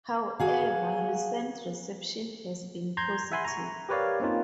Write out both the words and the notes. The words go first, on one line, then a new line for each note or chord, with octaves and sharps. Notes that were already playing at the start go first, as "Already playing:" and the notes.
However, recent reception has been positive.
F#4 G#4 F5
A#5 C6 G6 G#6
E5 F#5 G#5 B5 C6
A#5 C#6
G4 A#4 B4 C#5 D5 F5
A#3 C4 C#4 D#4 F4